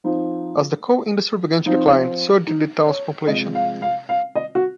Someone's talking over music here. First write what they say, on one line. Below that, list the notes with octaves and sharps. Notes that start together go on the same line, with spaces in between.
As the coal industry began to decline, so did the town's population.
F3 C4 D#4
F3 C4 D#4
D#4
C#5
C3 F3 G#3 D#5
F5
F5
F5
D#5
F#4